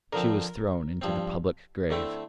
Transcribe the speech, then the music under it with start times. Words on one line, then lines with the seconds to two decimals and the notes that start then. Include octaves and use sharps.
She was thrown into the public grave.
0.13 D3 F3 C4 A#4
1.02 G2 F3 C4
1.90 D3 A3 C4 E4